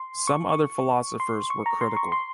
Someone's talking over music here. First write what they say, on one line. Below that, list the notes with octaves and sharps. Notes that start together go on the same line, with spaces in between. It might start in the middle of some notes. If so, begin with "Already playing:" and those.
Some other philosophers were critical.
Already playing: C6
C#6
C6
C#6
A#5
C6
C#6
C6